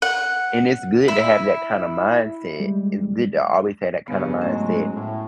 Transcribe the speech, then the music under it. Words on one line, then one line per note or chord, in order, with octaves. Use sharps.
And it's good to have that kind of mindset. It's good to always have that kind of mindset.
F#5
E4
G3 G#3
G2 C#3 B3
G#2 F#3 G#3 A3 C#4
A2